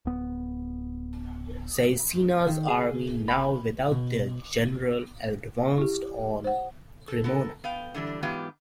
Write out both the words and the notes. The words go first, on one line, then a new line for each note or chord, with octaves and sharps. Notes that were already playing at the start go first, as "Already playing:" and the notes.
Caecina's army, now without their general, advanced on Cremona.
D1 B3
D#3
G#4
B5
B2
E4 G4
C5 F#5
A4
B3 A4 A#4
B3 F5 G5
D3 E3 G3 D4
G#2 E3 F#3 B3 F4 G4